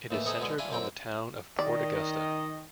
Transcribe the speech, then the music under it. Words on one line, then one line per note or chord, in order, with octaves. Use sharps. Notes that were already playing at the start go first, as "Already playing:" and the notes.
It is centred on the town of Port Augusta.
D#2 A2 E3
C3 B3 D#4 G#4 A4
B2 D3 G#3
D4 E4 F4 G#5
F#2 D3 C4 G5
D#3 D5 D#5